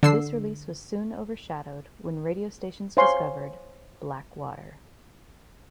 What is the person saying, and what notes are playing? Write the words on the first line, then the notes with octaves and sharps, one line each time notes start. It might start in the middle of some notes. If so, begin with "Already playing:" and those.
This release was soon overshadowed when radio stations discovered "Black Water".
D3 E6 C7
C5 C#5 F5 G#5 C6